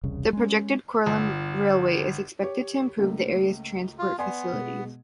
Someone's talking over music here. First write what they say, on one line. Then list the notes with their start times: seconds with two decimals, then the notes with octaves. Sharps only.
The projected Koralm Railway is expected to improve the area's transport facilities.
0.03 E1 C2 C#3
0.33 G#3 C#4
1.06 G1
2.42 G4 C#5
2.99 C#2 A3 A#3
3.99 F4
4.18 B3 D5 G#5 C6
4.53 B2 G#3